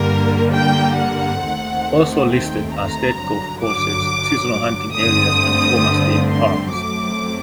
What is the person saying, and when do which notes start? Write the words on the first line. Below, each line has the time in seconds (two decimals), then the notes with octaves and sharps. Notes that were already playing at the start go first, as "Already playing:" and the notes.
Also listed are state golf courses, seasonal hunting areas, and "former" state parks.
Already playing: G2 D3 G3 A#3 A#4
0.53 G5
0.97 F#5
1.41 D#2 D#3 A3 C4
2.30 G5
2.74 A#5
3.19 G2 D3 F#3
3.63 D6
4.96 G2 D3 A3 C4 D#6
6.29 C6
6.73 F#2 F#3 A3 C4 D6